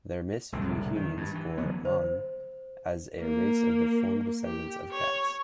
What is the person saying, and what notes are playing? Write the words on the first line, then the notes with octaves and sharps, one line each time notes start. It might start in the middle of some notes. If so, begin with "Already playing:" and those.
Their myths view humans, or "M'an", as a race of deformed descendants of cats.
E1 C2 A2 D3
D#3
G2
E3
D3 F#3 B3
C5
A#3
G4
C#5